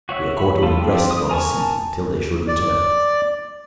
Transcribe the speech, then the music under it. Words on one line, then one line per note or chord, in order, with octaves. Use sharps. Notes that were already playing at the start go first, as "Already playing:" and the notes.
We accordingly rested on a seat until they should return.
F#4 C#5 E5
C#5 B5
A3 F4 A4
F3 C4 D4 F4 G4
D#6
A#4 G#5 A5 C#6
D5